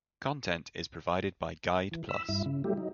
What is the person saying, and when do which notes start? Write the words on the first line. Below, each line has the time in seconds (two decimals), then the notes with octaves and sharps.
Content is provided by Guide Plus.
1.91 E3
2.09 B5 E6
2.29 G2 E4
2.46 C#3
2.64 F#3 G3 A3 E4 G4
2.77 F#3 D#4